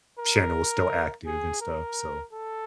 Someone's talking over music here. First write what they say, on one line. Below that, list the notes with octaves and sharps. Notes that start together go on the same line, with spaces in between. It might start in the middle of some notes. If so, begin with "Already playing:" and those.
channel was still active and stuff. So,
A#4
G#4
A#4
A4